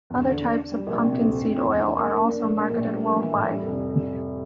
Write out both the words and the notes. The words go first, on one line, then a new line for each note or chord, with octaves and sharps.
Other types of pumpkin seed oil are also marketed worldwide.
E2
D3
D4
D4
G3
A#1
C3
D2
F2
F2
E2
E3
A#3
A#3
D4
A3
A#2
A#1
G3
A#3
E3
A2
G3
F1